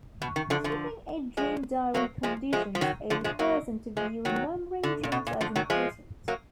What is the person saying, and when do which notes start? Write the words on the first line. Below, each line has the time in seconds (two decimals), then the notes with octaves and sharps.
Keeping a dream diary conditions a person to view remembering dreams as important.
0.22 B2
0.36 D#3
0.50 D3 F3
0.64 D3 F3
1.37 F3 G#3
1.95 F#3 A#3
2.23 F3 G#3
2.53 F3 G#3
2.75 F3
2.81 D#3 F#3
3.10 D3 F3
3.24 F3 G#3
3.39 F#3 A#3
3.97 F3 G#3
4.25 D#3 F#3
4.83 D3
5.03 A#2
5.12 B2
5.27 A#2
5.41 D3 F3
5.56 D#3 F#3
5.70 F3 G#3
6.28 F#3 A#3